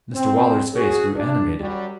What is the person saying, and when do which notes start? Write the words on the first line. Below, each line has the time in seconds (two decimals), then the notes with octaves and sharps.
Mr Waller's face grew animated.
0.14 C4
0.73 C#4 F#4 G#4
1.15 D4
1.60 F#2 F#3 G3